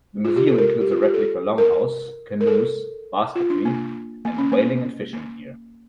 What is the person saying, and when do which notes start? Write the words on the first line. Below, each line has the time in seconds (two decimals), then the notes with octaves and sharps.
The museum includes a replica longhouse, canoes, basketry and whaling and fishing gear.
0.25 F4
0.36 G4
0.47 A4
0.58 A#4
0.81 G4
0.92 F4
1.02 G4
1.14 A4
1.58 A#4
2.41 A#4
2.47 A4
3.35 F4
3.50 D4
3.65 A#3
4.25 A#3
4.38 C#4
4.52 A#3
5.13 A#3